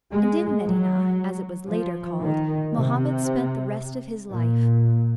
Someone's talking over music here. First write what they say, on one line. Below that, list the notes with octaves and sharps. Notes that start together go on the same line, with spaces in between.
And in Medinah, as it was later called, Mohammed spent the rest of his life.
G#3
F#3
F3
D#3
C3
A#2